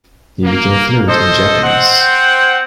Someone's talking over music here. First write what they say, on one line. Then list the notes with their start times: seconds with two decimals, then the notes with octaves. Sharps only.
He became fluent in Japanese.
0.44 A#3
1.08 A4 C5 D#5
1.63 C4 C5 F#5
2.00 G5